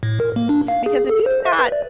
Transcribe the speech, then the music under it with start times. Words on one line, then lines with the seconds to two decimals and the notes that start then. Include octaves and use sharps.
because if you've got
0.03 A2
0.20 A#4
0.36 A#3
0.49 D4
0.68 F5
0.86 G#4
1.09 A4
1.26 C5
1.45 E5
1.59 B4
1.72 D5